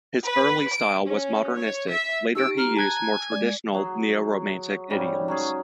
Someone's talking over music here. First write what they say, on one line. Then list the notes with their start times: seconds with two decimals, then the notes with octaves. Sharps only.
His early style was modernistic, later he used more traditional neo-Romantic idioms.
0.24 B4
0.72 D7
1.07 C#4
1.56 C#5
1.90 E5
2.35 D#4 G4 E6 D7
2.58 A#5 F6
2.77 G#5 A5 F#6 G#6
3.32 G#3 D5
3.74 F#3 G#4
4.90 G#2 C#3 G3
5.28 F#3 C#4 G#4